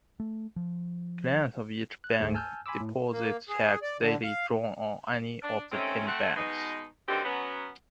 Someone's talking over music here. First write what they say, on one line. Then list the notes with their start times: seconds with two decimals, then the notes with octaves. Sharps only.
Clients of each bank deposit checks daily drawn on any of the ten banks.
0.20 A3
0.56 F3
2.04 F#6
2.19 G1 D2 G#2 A3 G#4 C5
2.34 G#5 A5 E6 F6 G6
2.66 G#5 B5 C6 D6 E6
2.80 A2
3.12 A#3
3.49 G#4
3.82 D5
4.00 D3
4.24 F5
5.42 D4
5.72 C3 D#3 A3 C4 C#4
6.07 A3 C4 F#5
6.36 B2 G#3 D#4
7.08 G2 D3 D#3 C4 F#4 G4
7.25 F#3 B3 C#4